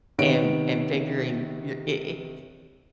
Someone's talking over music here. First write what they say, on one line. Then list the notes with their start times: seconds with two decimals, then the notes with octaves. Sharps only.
and and figuring your i i
0.18 C3 D#3 B3 C#5 D7